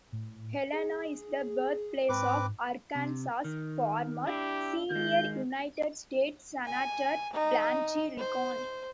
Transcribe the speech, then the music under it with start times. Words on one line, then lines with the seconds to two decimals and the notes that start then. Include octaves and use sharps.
Helena is the birthplace of Arkansas' former Senior United States Senator Blanche Lincoln.
0.12 A2
0.73 G#4
2.09 G#2 C4 B4 D6
2.95 C3
3.44 D#3
4.27 D4 E4 G4
4.91 D#3 G#3 G6
6.66 G#5
7.34 D#4
8.19 C5